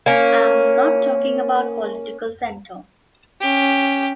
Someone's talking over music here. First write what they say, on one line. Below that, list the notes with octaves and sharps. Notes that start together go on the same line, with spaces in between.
I'm not talking about political center.
A#3 C#4
C#4 G4